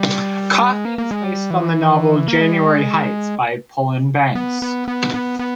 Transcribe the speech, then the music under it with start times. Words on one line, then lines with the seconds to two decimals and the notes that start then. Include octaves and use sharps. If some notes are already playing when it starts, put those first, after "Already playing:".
Coffee is based on the novel "January Heights" by Polan Banks.
Already playing: G3
0.72 G#3
0.85 A#3
0.98 A#3
1.11 G#3
1.24 G3
1.51 E3
2.28 A#3
2.41 G#3
2.53 G3
2.66 G#3
4.35 B3
4.62 B3
4.88 B3
5.14 B3
5.39 B3